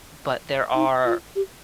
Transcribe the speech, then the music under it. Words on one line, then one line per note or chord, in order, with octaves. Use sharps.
But there are
D#4
F4
G4